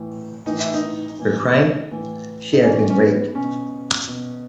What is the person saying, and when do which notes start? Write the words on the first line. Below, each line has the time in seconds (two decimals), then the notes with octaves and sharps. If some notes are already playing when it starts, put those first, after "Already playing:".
Her crime: she had been raped.
Already playing: A2 E3
0.46 A2 E3 D#4
0.60 E4
0.74 D#4
1.19 A2 E3
1.91 A2 E3
2.53 D#4
2.63 A2 E3 C#4
2.90 C#4
2.99 B3
3.35 B2 C#4
4.07 B2